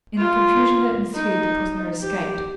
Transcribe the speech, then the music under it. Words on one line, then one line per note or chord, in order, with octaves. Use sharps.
In the confusion that ensued the prisoner escaped.
F4
D#4
G4